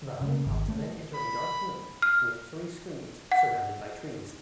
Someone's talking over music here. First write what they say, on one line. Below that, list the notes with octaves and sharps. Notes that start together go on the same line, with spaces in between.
The honey pots then enter a dark room with three screens surrounded by trees.
C#3
G#1
A3
B5
F6
F#5